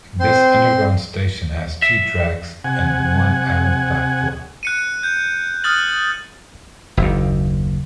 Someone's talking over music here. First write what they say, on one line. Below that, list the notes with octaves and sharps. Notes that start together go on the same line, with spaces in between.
This underground station has two tracks and one island platform.
C4 C5 C6
E5
C3 F#5 G#5
F#6 C#7 D#7
G6
D#6 F6 F#6 A6 F#7
F#1 D#2